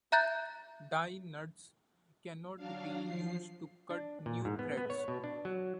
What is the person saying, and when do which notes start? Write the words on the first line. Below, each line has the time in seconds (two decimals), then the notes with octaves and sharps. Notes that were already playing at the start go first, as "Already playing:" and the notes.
Die nuts cannot be used to cut new threads.
0.12 E5 A#5 F#6 G6 A6
2.57 F#3 D4 F5
3.03 F3 C7
3.90 D4
4.26 A#2
4.45 G#2
4.59 B3
4.77 B3
4.90 C#5
5.08 B2
5.24 D4
5.45 F#3